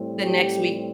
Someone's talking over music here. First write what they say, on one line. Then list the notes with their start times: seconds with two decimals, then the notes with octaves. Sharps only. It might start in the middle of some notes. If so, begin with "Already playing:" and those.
The next week
Already playing: A2 G3 C4
0.23 G4